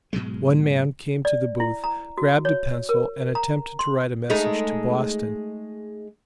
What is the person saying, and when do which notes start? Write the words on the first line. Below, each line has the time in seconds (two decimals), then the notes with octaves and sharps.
One man came to the booth, grabbed a pencil, and attempted to write a message to Boston.
0.13 G#2 B2 F#3 G#3
1.25 D5
1.60 E4
1.84 A#5
2.18 F#4
2.45 C#5
2.89 A#4
3.35 A#5
3.79 C6
4.30 G#3 A3 D#4